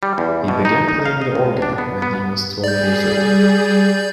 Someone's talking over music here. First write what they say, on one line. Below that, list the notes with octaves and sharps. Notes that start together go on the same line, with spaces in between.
He began playing the organ when he was twelve years old.
G3
E2
B2
D#4
D#4
F5
D#5
C#2
D4
B3
B3
G3 G#4 D5 G6